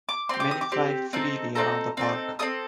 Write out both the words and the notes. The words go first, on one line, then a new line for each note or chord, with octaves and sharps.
Many fly freely around the park.
D6
C4 G4 C6
D6
D#6
D6
C4 G4
C4 D#4 A4
C4 D#4 A4 A#5
C4 D#4 A4
C4 D#4 A4 D#6